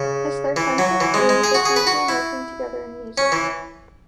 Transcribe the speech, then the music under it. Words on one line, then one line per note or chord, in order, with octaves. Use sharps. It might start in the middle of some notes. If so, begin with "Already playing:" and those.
As their friendship grew, the two began working together in music.
Already playing: C#3
E3
F#3
E3
G#3
G#3
G#4
F#4
G#4
B4
F#4
E4
C#4
E3